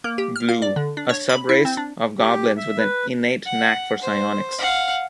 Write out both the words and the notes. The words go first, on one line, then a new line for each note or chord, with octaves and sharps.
Blue: A subrace of goblins with an innate knack for psionics.
A#3
G4
F6
F5
D5
D3
D4
C#5
B5
E4
C4
D4
G4
E5
B4
F#5
C5
F5 F#5